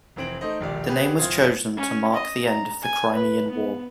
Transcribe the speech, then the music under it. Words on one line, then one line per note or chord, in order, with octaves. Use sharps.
The name was chosen to mark the end of the Crimean War.
F1 E3 C4 D7 F#7
A3 D#4 C5 D#5
E1 A#1 D#2 G3 D5
G4 G#4 B4
F#1 C4 F4 D#6 G#6
C#4
D#5
A#5
G#5
B4
B3